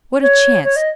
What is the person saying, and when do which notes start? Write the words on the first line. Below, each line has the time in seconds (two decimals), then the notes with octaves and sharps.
What a chance!
0.21 C#5
0.64 C#5
0.76 D#5